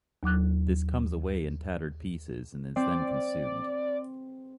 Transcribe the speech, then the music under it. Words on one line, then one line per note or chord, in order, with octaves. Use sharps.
This comes away in tattered pieces and is then consumed.
D#2 F#3 D6 F#6
C4 D5